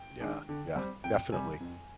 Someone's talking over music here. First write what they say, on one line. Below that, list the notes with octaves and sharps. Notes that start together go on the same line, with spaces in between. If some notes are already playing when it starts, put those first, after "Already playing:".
Yeah, yeah, definitely.
Already playing: G5
D#3 G#3 D4
D3
G3 C4
F2 G5
C3 G3 G#5
F2